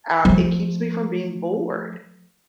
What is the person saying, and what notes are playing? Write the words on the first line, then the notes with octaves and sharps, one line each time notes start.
um, it keeps me from being bored.
F3 A3